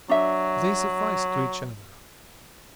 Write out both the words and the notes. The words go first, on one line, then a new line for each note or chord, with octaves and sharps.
They sufficed to each other.
F#3 D4 E5